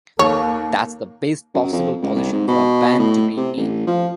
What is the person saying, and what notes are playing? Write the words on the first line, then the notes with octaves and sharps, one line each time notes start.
That's the best possible position for a band to be in.
D#2 A#3 A4 C#5
F#2
F2
C#2
C2
G#2
B2
A2
C3
A1
F3